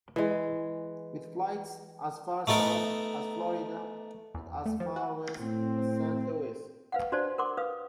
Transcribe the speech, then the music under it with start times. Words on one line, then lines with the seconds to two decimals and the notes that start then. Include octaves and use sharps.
With flights as far south as Florida, and as far west as Saint Louis.
0.16 E3 G#3
2.47 A3 B3 D#4 A4 A#4
4.35 E2
4.66 A3
4.80 F3
4.96 F#4
5.39 A2 C4
6.92 B4 F5 F#5
7.12 D4 F#4 C5 D5 A5
7.38 A#4 F#5 C6 D6
7.57 A#4 B4 F5 D#6